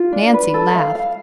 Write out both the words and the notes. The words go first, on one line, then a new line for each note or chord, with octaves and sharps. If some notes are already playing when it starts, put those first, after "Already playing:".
Nancy laughed.
Already playing: F4
D4
B4
A4
F5
F5